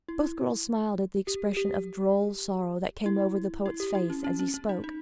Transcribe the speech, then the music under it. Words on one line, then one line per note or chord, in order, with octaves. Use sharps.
Both girls smiled at the expression of droll sorrow that came over the poet's face as he spoke.
E4
G4
G4
E4
E4
G4
E4
C#4
C#4
C#4
C#4
D#4
D#4